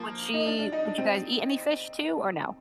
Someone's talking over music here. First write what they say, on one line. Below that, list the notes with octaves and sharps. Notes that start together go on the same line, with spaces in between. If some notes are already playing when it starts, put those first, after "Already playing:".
would she would you guys eat any fish, too, or no?
Already playing: F3 A#3
D#4
D4
D4
D#4
D4
C4